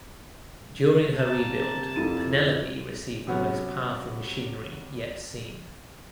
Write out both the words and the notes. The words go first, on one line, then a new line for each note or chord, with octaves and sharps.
During her rebuild "Penelope" received the most powerful machinery yet seen.
C3 A#3 A5
F2 E4 D#7
C3 F#3 B3 C#4 F#4